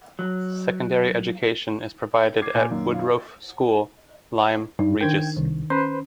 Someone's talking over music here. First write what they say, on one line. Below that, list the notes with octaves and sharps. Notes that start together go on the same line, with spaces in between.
Secondary education is provided at Woodroffe School, Lyme Regis.
F#3
D6 G#6 C7
A#2 G#5
F#2 D#3 A#3
F4
G2 D#4
D#3 D4 A#4 G5 G#6
C2 D#3
C#4 B4 C5